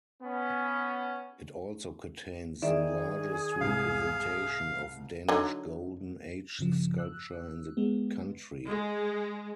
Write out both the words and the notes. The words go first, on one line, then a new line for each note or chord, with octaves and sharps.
It also contains the largest representation of Danish Golden Age Sculpture in the country.
B3 C#4
D#3 G#4 D5 E5
C2 G#2 F5
D3 F#3 D#4
G2 C#3 F3
E6 F#6
G#3 B3
G#3